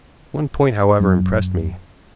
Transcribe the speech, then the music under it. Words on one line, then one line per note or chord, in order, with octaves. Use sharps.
One point, however, impressed me.
F#2